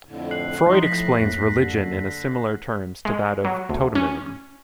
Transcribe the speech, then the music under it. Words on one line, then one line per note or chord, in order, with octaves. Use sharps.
Freud explains religion in a similar term to that of totemism.
F2 A2 D3
F#6 C7 F#7
F3 D#4 F4 D#5
A2 A#6 B6
F2 A#3
D3
G#3
F#3
D2
C#4